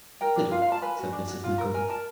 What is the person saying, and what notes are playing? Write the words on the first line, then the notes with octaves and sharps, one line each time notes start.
'Fiddle,' said Mrs Nickleby.
A#4 G5
D4
F4 F5
F5
F4
A5
B4 G#5
F#4
D4
F#4
F4
A#4
A#4 G#5
A#4 A5